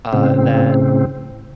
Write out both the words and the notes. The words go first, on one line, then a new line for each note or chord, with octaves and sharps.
Uh, that
A2 C#3 C4